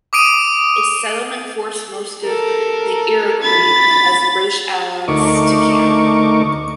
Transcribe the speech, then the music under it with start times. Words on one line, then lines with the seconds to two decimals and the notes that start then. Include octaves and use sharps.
Its settlement forced most of the Iroquois as British allies to Canada.
0.13 D6 D#6 D7 D#7
2.23 A4 A#4
3.42 B5 A6
5.08 D2 A3 D#4 A#4 C#6 D6